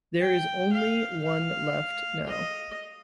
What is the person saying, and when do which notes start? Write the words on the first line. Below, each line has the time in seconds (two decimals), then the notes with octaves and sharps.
There is only one left now.
0.21 G5
0.72 F5
1.24 F5
2.28 D#5